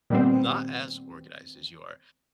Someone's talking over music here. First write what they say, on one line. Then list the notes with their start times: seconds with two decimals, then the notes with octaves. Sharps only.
not as organized as you are,
0.10 A#2 D#3 G3 B3 C4